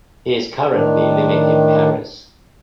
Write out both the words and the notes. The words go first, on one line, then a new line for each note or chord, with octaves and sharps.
He is currently living in Paris.
A2 D#3 D4